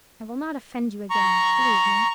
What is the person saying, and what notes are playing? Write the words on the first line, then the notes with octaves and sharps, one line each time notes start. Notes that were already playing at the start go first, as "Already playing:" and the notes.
I will not offend you again, believe me.
A#5 C#6